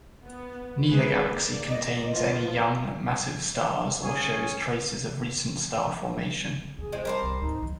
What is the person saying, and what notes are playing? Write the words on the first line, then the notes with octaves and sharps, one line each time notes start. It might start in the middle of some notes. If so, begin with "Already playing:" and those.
Neither galaxy contains any young, massive stars or shows traces of recent star formation.
B3
G#3 G#4 B4
A#3 D5
D#5
F3 B3 F4
C#4 G#4 C#5 G#5
C3 D4 G#4
F3 G#3 C4
G3 A#4 C5 A5
C2 C3
D2 G#2 D#4
D2 F#3